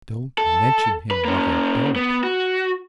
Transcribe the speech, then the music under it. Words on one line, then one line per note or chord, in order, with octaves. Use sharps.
'Don't mention him, mother, don't!'
A4
B4
A#3 C#4
B3
F#4